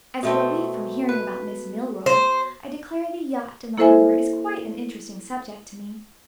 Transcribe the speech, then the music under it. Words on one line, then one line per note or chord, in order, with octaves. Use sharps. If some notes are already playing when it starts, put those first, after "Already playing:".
As a relief from hearing about Miss Milroy, I declare the yacht in the harbor is quite an interesting subject to me!
B2 A3 C4
B4
C5
A#3 E4 A4 C5 E5 G#5